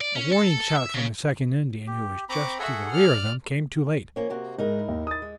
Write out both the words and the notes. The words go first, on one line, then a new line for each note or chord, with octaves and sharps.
A warning shout from the second Indian, who was just to the rear of them, came too late.
D5
C#4
A4
E5
C#3
G4
C4 A#5 B5 C#6 D6
F#4 G#4 A4 E5 F#5
D5 F6
F3 A#3 C#4
C3 A#3 F#4
G#2 G#3 D#4 E4 A#4
D#2
D#6 A6
G#3